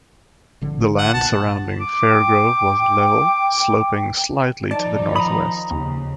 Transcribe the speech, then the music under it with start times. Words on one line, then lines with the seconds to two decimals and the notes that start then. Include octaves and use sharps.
The land surrounding Fairgrove was level, sloping slightly to the northwest.
0.61 G#1 D3 F3
0.98 F#5
1.14 B1 A#2 A5
1.81 D6
2.09 G5
4.71 D#3 F3 D#4 D5 A5
5.16 A#5 B5 D#6
5.71 D#2 C#3